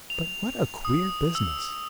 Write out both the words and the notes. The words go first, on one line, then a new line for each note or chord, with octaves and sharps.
But what a queer business!
F7
D#6
E6